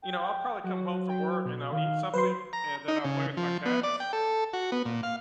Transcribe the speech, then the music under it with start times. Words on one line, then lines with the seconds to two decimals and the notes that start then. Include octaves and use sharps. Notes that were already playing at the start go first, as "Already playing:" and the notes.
you know, I'll probably come home from work, and I'll eat something, and then I'll play with my cats.
0.02 G5
0.64 F#3 F#4
1.09 G5
1.45 B2
1.72 D#3 F5
2.14 F#3 B4 C5 C6
2.53 A#5
2.88 D#4
3.05 C#3
3.37 F3
3.65 B3
3.83 D5
4.00 G5
4.13 A4
4.53 F#4
4.72 B3
4.85 A#2
5.03 F5